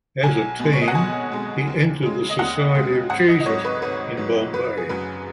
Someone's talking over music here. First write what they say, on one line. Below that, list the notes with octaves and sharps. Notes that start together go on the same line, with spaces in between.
As a teen, he entered the Society of Jesus in Bombay.
B1 G#5
B2 G#3
C#5
D#5
F#5
B1 G#5
B2 G#3
D#2
C#3 G#3
D#5
D#2 F#5
C#3 G#3
G#1 F#5
D#5
D#5
G#2 F#3 C#5
B4
G#1 B4
G#2 F#3
F#1 B4
G#4
F#2 F#3 B4